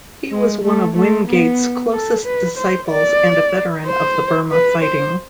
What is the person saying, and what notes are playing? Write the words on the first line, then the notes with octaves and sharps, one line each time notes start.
He was one of Wingate's closest disciples and a veteran of the Burma fighting.
G#3
A3
A3
B3
A4
B4
C5
D5
C5
B4
C5